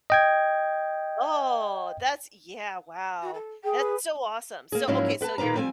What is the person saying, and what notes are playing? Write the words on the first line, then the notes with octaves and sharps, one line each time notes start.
oh! That's yeah, wow. That's so awesome. So, okay. So you're
D#5 G5 G#6
F#4
A4
G#4 G5
B4
A#3 G#4
G#2 F3 F#3 A#3 C#4 E4
B3 B4 G5 A5
A#2 D#3 A#3 B4 A#5
F3 G3 C4 G5 G#5